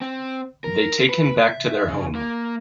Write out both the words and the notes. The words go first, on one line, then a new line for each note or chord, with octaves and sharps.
They take him back to their home.
C4
A#4
B4
E5
C#3
A#3